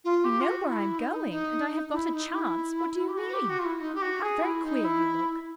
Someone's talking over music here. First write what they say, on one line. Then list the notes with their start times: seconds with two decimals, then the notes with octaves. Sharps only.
"You know where I am going, and I have got a chance--what do you mean? How very queer you look!"
0.04 F4
0.24 G4
0.40 F4
0.45 F#4
0.66 E4
0.98 D#4
1.29 D#4
1.92 E4
2.13 D#4
2.33 E4
3.08 G4
3.17 F#4
3.33 G4
3.49 F#4
3.59 F4
3.65 E4
3.80 D#4
3.94 G4
4.01 F#4
4.22 G#4
4.42 E4
4.64 D#4
4.84 E4